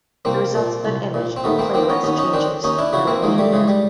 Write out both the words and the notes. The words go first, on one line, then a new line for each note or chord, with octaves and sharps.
The results of the image and playlist changes were immediate.
C2 A#3 C4
A#2
C2
A#2
C4
D#2 A3 B3
A#3 C4
D#3 A#3 C4
B3 C#4
D#2 B3 C#4
C#4 D#4
D#3 C4 D4
D#2 C#4 D#4
D4 E4
C#3 E3 E4 F#4
A#3 C4
D#2 G#3 A#3
G3 A3
C#3 E3 G#3
G3